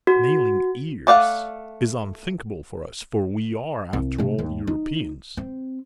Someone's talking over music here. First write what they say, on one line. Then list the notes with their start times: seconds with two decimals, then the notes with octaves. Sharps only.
Nailing ears is unthinkable for us, for we are, after all, Europeans.
0.07 F#4
1.07 A3 D5 F5 F#5
3.93 C2
4.18 C3 A3
4.39 D#2
4.67 D#4
5.37 C4